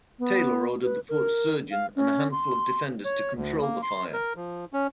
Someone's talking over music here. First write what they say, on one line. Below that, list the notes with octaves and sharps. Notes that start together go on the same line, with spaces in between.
Taylor ordered the fort's surgeon and a handful of defenders to control the fire.
B3
B4
A#4
F5
C#4
C6
C#5
D2
A#3
C6
A#4
F3
C#4